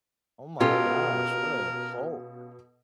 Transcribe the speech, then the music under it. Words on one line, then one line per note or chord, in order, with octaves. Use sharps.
Oh my gosh, what a hulk.
B2 C#4 F4 G4 A4 A#4